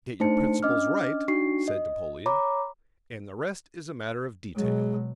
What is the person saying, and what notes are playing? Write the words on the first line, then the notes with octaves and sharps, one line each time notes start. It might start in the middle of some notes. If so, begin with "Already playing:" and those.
"Get your principles right," said Napoleon, "and the rest is a matter of detail."
A3 D4 D#4 C5 A5 C#7
C#4 D4 D#5 D6 F6
D4 D#4 F#4 C#6 C7
D#5
C#5 A#5 B5 D6
B2 F#3 G#3